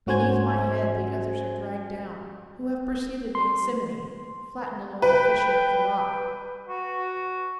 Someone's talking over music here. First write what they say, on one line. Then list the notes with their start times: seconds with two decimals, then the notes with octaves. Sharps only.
Beneath my head the others are dragged down Who have preceded me in simony, Flattened along the fissure of the rock.
0.06 G#2 C#4 F#4 C5 G#5 G#6
3.35 C6
5.02 B4 G5
6.69 F#4